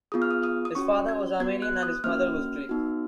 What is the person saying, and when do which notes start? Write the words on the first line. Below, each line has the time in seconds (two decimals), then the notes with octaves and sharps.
His father was Armenian and his mother was Greek.
0.12 B3 F4 G#4 D#6
0.22 F6
0.31 D#6
0.44 D#6
0.65 D#6
0.75 C#4 F#4 C#6
1.09 G#6
1.40 B3 F#4 G#6
1.62 F#6
1.83 D#6
2.04 A#3 C#4 F#4 F6
2.69 B3 D#4 F#4